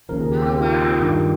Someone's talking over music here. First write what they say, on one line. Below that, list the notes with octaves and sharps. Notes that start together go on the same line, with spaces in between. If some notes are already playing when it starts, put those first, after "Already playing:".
Oh, wow.
D#2 C#3 F3 A#4
G#4
G4
G4
F4
D#4
F4
G2 D#3 G3